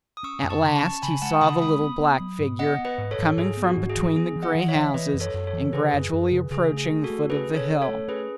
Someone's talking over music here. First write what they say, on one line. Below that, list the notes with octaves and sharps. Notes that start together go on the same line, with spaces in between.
At last he saw the little black figure coming from between the grey houses and gradually approaching the foot of the hill.
D#6
C#4 C#6 E6
F#2
A5 C#6
C#3
A5 C#6
C#4
C#3 G#5 B5
G#3 F#5 A5
C#3 B5 D#6
G#3 B5 D#6
B3
B3
F#3
G#2
B3 D#5 F#5
B3
B4 D#5
G#2
A4 C#5
G#2
G#2 G#4
B3
F#4
G#2
G#4
E3
B3 G#4
E3
D#5 F#5
E3
C#5 E5
E3
E3 B4 D#5
F#2
A4 C#5
F#2
A4 C#5
E3
C#3 G#4 B4
F#2
F#2
C#3
C#3 G#4
A3
G#4
A3
F#4 A4
A3
C#4 G#4 B4
C#4
A4 C#5
C#4
A4 C#5
A3
C#4 G#4 B4